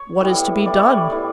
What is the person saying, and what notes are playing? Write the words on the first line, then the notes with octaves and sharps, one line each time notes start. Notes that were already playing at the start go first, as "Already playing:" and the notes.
What is to be done?
Already playing: C#5
A2 E3 G3 B3
A2 E3 G3 B3 D5
C#5
D5
A2 E3 G3 B3